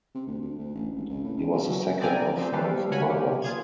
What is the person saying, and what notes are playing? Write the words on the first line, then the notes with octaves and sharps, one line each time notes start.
He was the second of five brothers.
C3
D2
D2
D2
A1
G#1
C#2
A2
C#2
F#3
F#3
B3 C4 D5 G5 G#5 A#5
F3 A3 C4 C5
G3 G4 A4 B4 C5 F5
F#4 A#4 C#5 F#5 G#5 B5
A#3 G4
F4 G#4 G#6